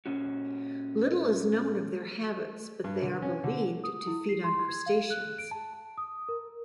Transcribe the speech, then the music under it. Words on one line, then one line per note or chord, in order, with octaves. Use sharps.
Little is known of their habits, but they are believed to feed on crustaceans.
A#2 C#4 F#4
G2
D3
C#4
D3
D#6
E4
C7
C6
G#6
F5
F#6
D7
A5
A5
D#6
A#4